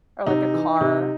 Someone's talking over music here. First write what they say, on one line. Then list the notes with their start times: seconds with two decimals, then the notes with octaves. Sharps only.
or, like, a car.
0.27 C3 D#4
0.54 E3
0.81 C3 D#4